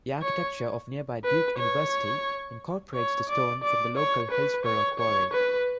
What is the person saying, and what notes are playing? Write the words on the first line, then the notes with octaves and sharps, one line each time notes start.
The architecture of nearby Duke University incorporates the stone from the local Hillsborough Quarry.
C#5
B4
C#5
C#5
D5
D5
C#5
B4
C#5
C#5
B4